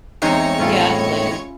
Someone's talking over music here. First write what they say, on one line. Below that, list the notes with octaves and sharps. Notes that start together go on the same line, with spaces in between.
Yeah, I don't blame him.
E2 G#3 C4 D#4 C#5 C#7
A2 C#4 E4 F4